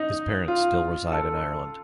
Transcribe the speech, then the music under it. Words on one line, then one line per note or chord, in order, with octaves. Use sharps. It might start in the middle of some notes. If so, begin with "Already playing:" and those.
His parents still reside in Ireland.
Already playing: D#4
F4
A4